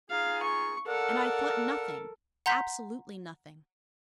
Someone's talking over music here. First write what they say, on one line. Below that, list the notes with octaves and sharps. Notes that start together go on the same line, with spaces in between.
And I thought nothing; absolutely nothing.
D#4 F4 G#4 F5
C#6
A4 A#4 D5 F5 F#5
F#5 A#5 C6 G6 B6